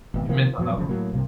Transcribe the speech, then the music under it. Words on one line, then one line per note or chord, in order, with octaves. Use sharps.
your mental health.
G#1 B2
C3 D#3 F3 A#3
F#2 F3 F#3 B3
E1 D2 C#3 F3
A2 F#3 A#3
C2 G2 C3 A#3